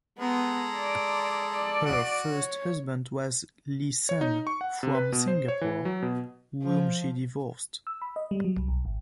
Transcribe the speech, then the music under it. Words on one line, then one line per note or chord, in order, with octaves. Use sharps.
Her first husband was Li Sun from Singapore, whom she divorced.
G#3 B3 A4 A#5
D5
D5
F#4
C#5
C#5
D#4
C#6
F#5
C3
B4
B2
C5
C#5
E3
F#3
B2
F3
E6
B5
D#5
G3
F#3
C2
B1
G#1